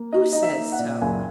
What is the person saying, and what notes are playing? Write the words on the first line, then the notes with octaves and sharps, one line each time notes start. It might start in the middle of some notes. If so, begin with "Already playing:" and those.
"Who says so?"
Already playing: A#3
D#4 D#5
D#4 D#5
E5
A#3
F#5
A#2
F#1 G#5